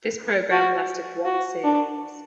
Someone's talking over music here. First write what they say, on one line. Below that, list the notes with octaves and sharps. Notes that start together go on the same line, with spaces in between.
This programme lasted one series.
F#4
F#4
D4